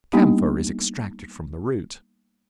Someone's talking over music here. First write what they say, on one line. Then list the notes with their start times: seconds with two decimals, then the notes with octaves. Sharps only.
Camphor is extracted from the root.
0.13 G3 A#3 B3 D4 D#4 G4